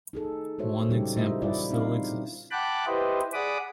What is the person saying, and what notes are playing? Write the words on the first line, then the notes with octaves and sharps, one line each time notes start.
One example still exists.
D#4 G#4 A4
G#3 F#4 A4 C5 C#5 E5
A#2 C#3 G3 C#4 D#4 G4
E4 F4 A#4 C5 D#5 E5
G3 E4 F4 D5
C4 D4 D#4 F5
F#5 G5 A5 B5 D6 F#6
E4 G4 B4 C5 D#5
G#4 D5 F#5 B5 D6 D#6